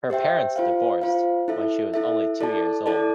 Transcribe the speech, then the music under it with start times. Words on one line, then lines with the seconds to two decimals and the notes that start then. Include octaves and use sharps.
Her parents divorced when she was only two years old.
0.10 G4 C5 E5 G5
0.56 F4 C5 F5
1.02 F4 C5 F5
1.48 E4 A4 E5
1.94 E4 A4 E5
2.41 E4 A4 D5 A5
2.86 E4 A4 D5 A5